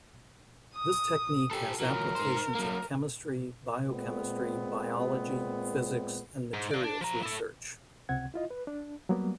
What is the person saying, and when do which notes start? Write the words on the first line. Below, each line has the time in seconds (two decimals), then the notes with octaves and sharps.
This technique has applications in chemistry, biochemistry, biology, physics and materials research.
0.75 D#6
1.51 G4 A4
1.80 E3 F#3 A#4
2.15 D#4 C5
2.55 F#3 A#3
3.87 A#2 G#3 B3 C4
6.54 G#2
6.71 D5 F5
6.84 D4
7.01 F3 A#5
7.23 E4 A4
8.09 C#2 C3 C4 F#5 G#6
8.34 E4 F4 D#5
8.50 B4
8.67 D4
9.09 F#3 G3 A#3 B3